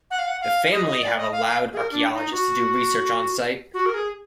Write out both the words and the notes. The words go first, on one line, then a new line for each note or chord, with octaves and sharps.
The family have allowed archaeologists to do research on site.
F#5
F5
F#5
F5
D#5
D#5
D5
D#5
F5
F5
G#4
A#4
D4
D#4
F#4
F#4
A#4
G#4